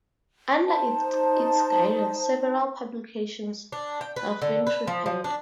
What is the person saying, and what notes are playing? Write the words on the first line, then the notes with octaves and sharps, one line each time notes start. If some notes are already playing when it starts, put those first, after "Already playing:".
Under its guidance several publications have been prepared.
D#4 C5 A5
D4
G5
B4
D3
B4
F3
F3
D4